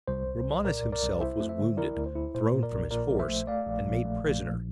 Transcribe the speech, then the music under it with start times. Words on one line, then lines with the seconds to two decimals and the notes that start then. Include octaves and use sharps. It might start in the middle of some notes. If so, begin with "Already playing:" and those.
Romanus himself was wounded, thrown from his horse, and made prisoner.
0.08 C2 C5
0.26 C2
0.46 C2
0.64 A#2 A#4 D5
0.84 C2
0.92 A#4 D5
1.02 C2
1.21 E4 C5 E5
1.40 A3
1.49 C5 E5
1.59 D3
1.77 E4 A#4 D5
1.97 D2
2.06 C5
2.15 E4
2.35 A#2 C5
2.53 A#2
2.63 A#4 D5
2.72 A#1
2.91 A#2 A#4 D5
3.10 A#1
3.20 C5 E5
3.28 A3
3.47 A3 D5 F5
3.67 A#1
3.85 A#1
4.05 A3
4.24 A#1
4.42 A#1